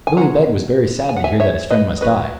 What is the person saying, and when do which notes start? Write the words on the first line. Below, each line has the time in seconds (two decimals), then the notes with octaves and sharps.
Billy Beg was very sad to hear that his friend must die.
0.07 G#5
0.17 G#3 C#4 F#5 A#5
1.09 G#5
1.16 F#5
1.24 E5 G#5
1.40 C#5 E5
1.71 B4 D#5
2.01 F#3 C#4 B4 D#5